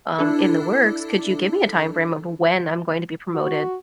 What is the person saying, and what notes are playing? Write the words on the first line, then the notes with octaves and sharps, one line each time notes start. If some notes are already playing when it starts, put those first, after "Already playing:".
um, in the works. Could you give me a time frame of when I'm going to be promoted
D4 E4 A4
F#4